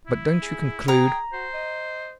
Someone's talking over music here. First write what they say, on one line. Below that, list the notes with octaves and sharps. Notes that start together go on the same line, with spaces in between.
"But don't you conclude--?"
E4
G#4
G#4 G5 A#5
F#4 C5
D#5